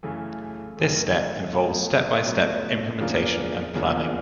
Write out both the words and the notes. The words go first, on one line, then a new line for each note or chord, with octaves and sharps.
This step involves step-by-step implementation and planning.
F#2 C#3 E3 A3
F#2 C#3 E3 A3
B2 F#3 A3 C#4 F4
B2 F#3 A3 C#4 F4
E2 C#3 F3 A#3 D4
E2 C#3 F3 A#3 D4